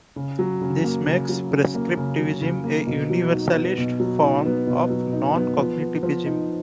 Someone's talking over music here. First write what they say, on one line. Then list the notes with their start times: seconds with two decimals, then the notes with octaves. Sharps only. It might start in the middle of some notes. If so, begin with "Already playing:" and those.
This makes prescriptivism a universalist form of non-cognitivism.
0.16 C#3
0.39 F#3
0.61 C#3
0.84 A#3
1.06 C#3
1.29 F#3
1.51 C#3
1.74 A#3
1.97 C#3
2.19 F#3
2.41 C#3
2.64 A#3
2.87 B2
3.10 F#3
3.32 D#4
3.54 B3
3.78 B2
4.00 F#3
4.22 D#4
4.46 B3
4.67 B2
4.90 F#3
5.13 D#4
5.36 B3
5.58 F3
5.81 B3
6.03 F3
6.26 D#4